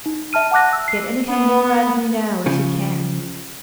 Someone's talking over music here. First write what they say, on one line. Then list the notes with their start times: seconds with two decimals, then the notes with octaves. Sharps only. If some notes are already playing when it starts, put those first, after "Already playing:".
Get anything more out of me now, if you can.
0.06 D#4
0.33 E5 A5 F6 D#7
0.51 F#5 A5 D6 F#6 A#6
0.73 E6
0.88 C7
1.28 B3
2.46 C#3 F3